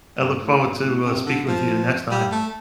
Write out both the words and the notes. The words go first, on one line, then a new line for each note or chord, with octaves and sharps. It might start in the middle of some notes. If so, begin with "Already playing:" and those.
I look forward to, uh, speaking with you the next time.
G2
A2
G2
B2
A2
C3
D3
F3
G3
A3